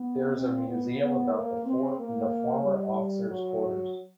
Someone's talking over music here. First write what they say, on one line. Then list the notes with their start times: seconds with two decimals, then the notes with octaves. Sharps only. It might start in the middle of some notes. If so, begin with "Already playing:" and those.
There is a museum about the fort in the former officers' quarters.
Already playing: B3
0.35 C4
0.67 B3
1.00 B3
1.33 A#3
1.65 C4
1.99 A#3
2.63 G3
3.28 F#3